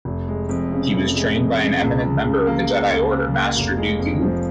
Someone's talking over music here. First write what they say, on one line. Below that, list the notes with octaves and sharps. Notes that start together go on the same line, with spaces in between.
He was trained by an eminent member of the Jedi Order: Master Dooku.
F1
G#3
F2
C#3
F1
G#3
F2
C#3
C#2
C#2
C#3
A#3
C#2
C#2
C#3
A#3
F1
G#3
F2
F3